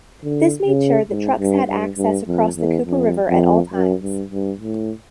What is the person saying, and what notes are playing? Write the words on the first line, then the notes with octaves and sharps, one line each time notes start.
This made sure that trucks had access across the Cooper River at all times.
D3
C#3
G#2
G2
G2
G2
F2
E2
F2
F2
F#2
G2
G2
A2